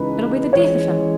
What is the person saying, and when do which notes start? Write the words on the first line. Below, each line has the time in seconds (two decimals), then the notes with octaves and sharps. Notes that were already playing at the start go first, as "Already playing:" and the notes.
It'll be the death of him.
Already playing: C#2 C#3 E3 G#3 D#4 B4
0.53 E3 G#3 C#4 C#5